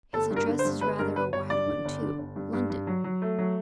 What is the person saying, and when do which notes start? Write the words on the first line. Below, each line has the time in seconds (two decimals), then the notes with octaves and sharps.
'His address is rather a wide one, too--London!
0.13 G1 A4
0.30 G2
0.36 A#4
0.48 D3
0.59 C5
0.65 G2
0.81 G1 B4
0.99 G2 A#4
1.16 G1 B4
1.33 G1 C#5
1.50 G2 D5
1.68 D3
1.85 G1
2.02 D3
2.19 G1
2.36 G2
2.53 G2
2.70 G2
2.87 F#3
3.04 F#3
3.22 A3
3.38 F#3